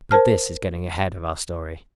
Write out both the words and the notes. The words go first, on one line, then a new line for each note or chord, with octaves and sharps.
But this is getting ahead of our story.
A#4 C5 A5 F6